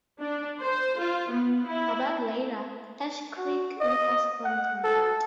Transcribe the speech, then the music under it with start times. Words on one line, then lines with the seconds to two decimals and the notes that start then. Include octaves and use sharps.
About later, Ash Creek enters from the left.
0.20 D4
0.62 C5
1.00 F4
1.31 B3
1.67 E4
3.37 F#4
3.80 D#5
4.45 F#5
4.84 A4